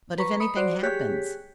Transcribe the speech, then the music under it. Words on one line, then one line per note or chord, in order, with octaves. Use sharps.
"But if anything happens-?"
B4 A#5 C#6
B5 D#6 C#7
F#4 C5 D5 C7
G4 G#4 C#5 F#6 B6